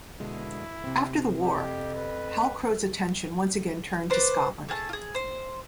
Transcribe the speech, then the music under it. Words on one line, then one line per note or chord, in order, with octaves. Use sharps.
After the war, Halcrow's attention once again turned to Scotland.
B2 D3 G#3 E4
C3 C4
F2 G4
B4
B4 C5 D5
A3 G#4 F#5 A5
F4 G#4
C5